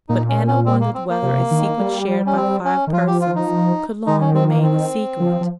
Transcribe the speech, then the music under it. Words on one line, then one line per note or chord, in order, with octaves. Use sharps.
But Anna wondered whether a secret shared by five persons could long remain a secret.
A#2 D#4
C#4
C#4
C4
A#3
C4
A#3
C3
D#3
G3
C#4
C4
C#4
D#3
F3 F4
G4
F4
D#4
D#3 D#4
C#4
C4
A#3
C4
F3
F3